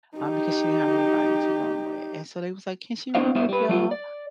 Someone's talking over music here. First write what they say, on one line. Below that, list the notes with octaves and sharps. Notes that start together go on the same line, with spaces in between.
um, because she didn't have anybody to room with, and so they was, like, "Can she room with y'all?"
D#4 G4
B3 D4 E4 C5 D#5 F5
G2 G3 B3 E4 C5 E5
G3 B4
F#3 G3 B3 F4 G4
D5